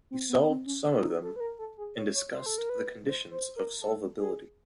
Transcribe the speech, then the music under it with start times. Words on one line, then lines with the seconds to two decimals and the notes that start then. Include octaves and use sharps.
He solved some of them and discussed the conditions of solvability.
0.11 C4
0.29 B3
0.48 C4
0.66 C#4
0.85 D4
0.98 E4
1.03 D#4
1.22 A4
1.36 B4
1.40 A#4
1.59 A4
1.78 G#4
1.95 C#5
2.15 C#5
2.33 C5
2.46 A4
2.58 A#4
2.69 B4
3.07 C5
3.31 C5
3.56 A#4
3.81 A4
4.19 G#4